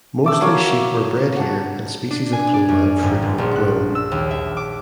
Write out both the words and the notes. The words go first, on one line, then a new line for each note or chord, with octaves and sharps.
Mostly sheep were bred here and species of clover and fruit were grown.
A3 D6 E6
F#3 A#3 C#5 F5
F#5 A5
D4
G#5
D5
F#2
G#1
G1
A#1
F#6
E6
D#2
E5
D6